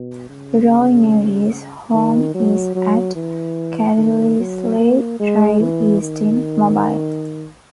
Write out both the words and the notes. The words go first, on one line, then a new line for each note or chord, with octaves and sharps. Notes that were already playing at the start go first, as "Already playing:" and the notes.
Roy Neary's home is at Carlisle Drive East in Mobile.
Already playing: B2
C#3
D#3
F#3
F#3
E3
D#3
F#3
A#3
G#3
E3
D#3